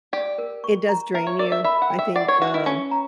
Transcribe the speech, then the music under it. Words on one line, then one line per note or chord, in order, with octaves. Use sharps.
It does drain you, I think, um,
G4 D5
A#4
C#6
A#5
A#4 E5
C#5
A#4 D5
E5
E5 B5
F#5
G5
E5
D5 F#5
C#5
F#4 B4
E4
C#4 C#6
A#5